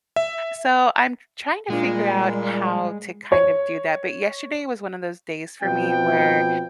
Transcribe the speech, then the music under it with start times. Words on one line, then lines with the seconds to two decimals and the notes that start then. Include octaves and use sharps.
So, I'm t trying to figure out how to, kind of do that, but yesterday was one of those days for me, where
0.16 E5
1.70 A#2 G#3 D4
1.85 G3
3.32 C#5
5.62 B2 F3 C4 G5